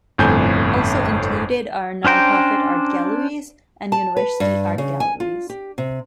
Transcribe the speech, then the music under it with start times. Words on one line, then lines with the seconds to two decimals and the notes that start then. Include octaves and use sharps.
Also included are non-profit art galleries and university art galleries.
0.18 G1 F2 A2 G#5 G6
2.05 C#4 D4 C5 G5 A#5
3.92 A5
4.17 B4
4.40 G2
4.78 C#3
5.00 G#5
5.20 F4
5.50 G4
5.78 C3